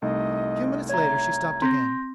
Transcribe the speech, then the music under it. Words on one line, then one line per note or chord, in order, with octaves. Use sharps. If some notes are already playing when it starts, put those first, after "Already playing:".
A few minutes later she stopped again.
C2 A3 D#4 D#5
C#5 E5 A#5 G#6
C4 C6 G6 A#6